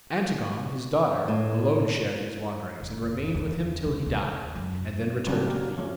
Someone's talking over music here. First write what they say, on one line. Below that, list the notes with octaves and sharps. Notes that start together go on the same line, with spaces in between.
Antigone, his daughter, alone shared his wanderings and remained with him till he died, and then returned to Thebes.
A2
E1
F#1
E2
D3
D#2
F#2
C#3 F#3 G3 C4 D4 G#4
F#3 A#3 G4 A#4
F3 A3 C#4